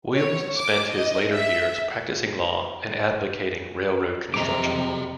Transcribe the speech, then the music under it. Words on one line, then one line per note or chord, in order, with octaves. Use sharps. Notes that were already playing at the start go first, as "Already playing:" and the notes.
Williams spent his later years practicing law and advocating railroad construction.
C#5
D6
D#5
E5
F2 C3 C4 G4 G#4 D#5 A#5 D6